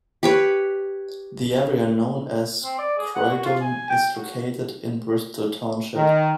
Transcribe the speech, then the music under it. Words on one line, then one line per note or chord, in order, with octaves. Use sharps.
The area known as Croydon is located in Bristol Township.
G4 B4 C#5
C4
D5
G#4
F#5
F#4
F4
G#5
G5
F#4
D#3